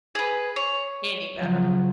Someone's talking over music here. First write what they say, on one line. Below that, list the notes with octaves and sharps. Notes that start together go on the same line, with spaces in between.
Any better.
G#4 B4
C#5
C#3 F3 F#3